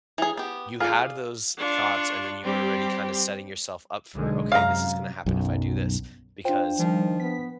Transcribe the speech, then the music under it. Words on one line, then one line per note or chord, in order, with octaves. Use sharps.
you had those thoughts, and then you were already kinda setting yourself up for, "Okay, this is gonna happen if I do this," because,
E3 G#4
B3 G4
F4 G#4 D5
D4 F4 C#6
G3 C4 G4
B1 D3 G#3
F#2 C3 F5 A#5
B1 F#2
D4 F4 C5 G5
D#3 F3 G3
B3 B6